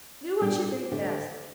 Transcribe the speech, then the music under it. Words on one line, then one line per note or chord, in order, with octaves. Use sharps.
Do what you think best.
A#2 G3 D4 G4 D5
D2 D3 A3 D4 G4